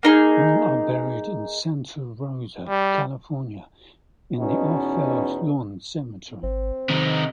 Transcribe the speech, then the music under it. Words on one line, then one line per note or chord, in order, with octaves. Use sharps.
All are buried in Santa Rosa, California, in the Odd Fellows Lawn Cemetery.
A#3 D#4 G#4
G3
E2 B2 C#4 D#4
G#1 C4
C3 D#3 D#4